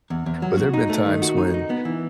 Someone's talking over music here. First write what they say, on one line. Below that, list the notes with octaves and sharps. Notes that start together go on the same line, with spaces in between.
but there've been times when
E2
E2
F#3
F#4
D#4
A3
D#3
F#4
D#4
D#4
B3
E3